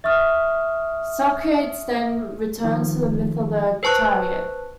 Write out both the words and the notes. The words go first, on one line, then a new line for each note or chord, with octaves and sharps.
Socrates then returns to the myth of the chariot.
E5 C#6 D#6 F6
D#3 F3
B4 C5 A5 C#6 F#6